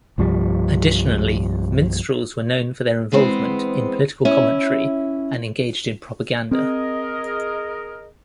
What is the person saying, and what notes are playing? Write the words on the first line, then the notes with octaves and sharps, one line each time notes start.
Additionally, minstrels were known for their involvement in political commentary and engaged in propaganda.
C2 G2 F3 G3
E2 G#3 B3 C4 C5
C#4 E4 E5
C4 G#4 A#4 D#5